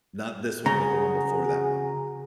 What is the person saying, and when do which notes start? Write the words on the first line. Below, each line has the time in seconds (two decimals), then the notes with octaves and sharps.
not this one, but the one before that one.
0.66 C#3 F#4 G#4 A#5